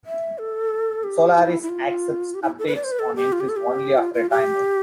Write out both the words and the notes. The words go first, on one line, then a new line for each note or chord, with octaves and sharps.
Solaris accepts updates on entries only after a timeout.
E5
A4
G4
E4
E4
F4
G4
E4
A4
B4
D5
C5
B4
A4
G4
F4
G4
A4
G4
F4
F4
G4